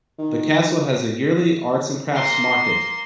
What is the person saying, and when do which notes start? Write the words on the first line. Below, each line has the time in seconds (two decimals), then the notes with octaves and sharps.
The castle has a yearly arts and crafts market.
0.18 D#3
2.13 A#3 C6